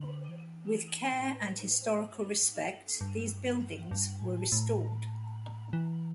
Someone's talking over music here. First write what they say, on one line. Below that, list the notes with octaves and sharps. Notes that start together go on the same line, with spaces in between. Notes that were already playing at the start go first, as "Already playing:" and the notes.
With care and historical respect these buildings were restored.
Already playing: D3
E3
B2
A2
G2
A2
G2
G2
G2
A2
A2
E3